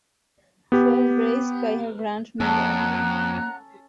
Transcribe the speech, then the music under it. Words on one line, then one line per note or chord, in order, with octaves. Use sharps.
She was raised by her grandmother.
B3 G4
F2 A#3 C#4 A4 F#5 A#5 F#6